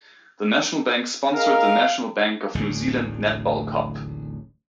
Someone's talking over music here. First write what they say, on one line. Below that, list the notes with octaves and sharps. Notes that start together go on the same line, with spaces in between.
The National Bank sponsored the National Bank of New Zealand Netball Cup.
D#4 G#4 A#4 F5
D1 A1 D#2 D3